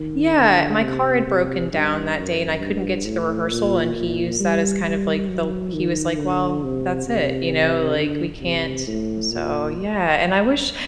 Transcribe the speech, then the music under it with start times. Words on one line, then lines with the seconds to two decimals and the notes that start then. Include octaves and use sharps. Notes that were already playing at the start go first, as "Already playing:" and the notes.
Yeah, my car had broken down that day and I couldn't get to the rehearsal, and he used that as kind of like the l he was like, "Well, that's it," you know, like, we can't So, yeah, and I wish
Already playing: D#3
0.37 D3
0.82 C3
1.27 C3
1.72 G2
2.16 F#2
2.61 G2
3.05 A2
3.50 A#2
3.95 A#2
4.39 G3
4.84 G3
5.28 F#3
5.73 D#3
6.18 D3
6.64 C3
7.07 C3
7.97 D3
8.41 C3
8.87 A2
9.31 A#2